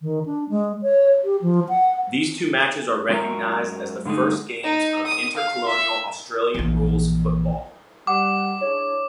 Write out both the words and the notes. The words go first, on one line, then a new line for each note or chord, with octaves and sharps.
These two matches are recognised as the first games of intercolonial Australian rules football.
D#3
D4
G#3
C#5
G4
F3
F#5
F#2 G#3 F#4 A#4 E5 A#5
G2 D3 G#3 A3 D#4
D#4
D#6
F5
E5
A#1 E3
G3 F#5 D6
D4 E4 G#4 C#5